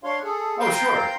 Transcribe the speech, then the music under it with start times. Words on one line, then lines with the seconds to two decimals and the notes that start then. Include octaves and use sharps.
Oh, sure.
0.04 D4 C#5 F5 C6
0.23 G#4 A4
0.60 C5 F5 G5 A#5 C6 G6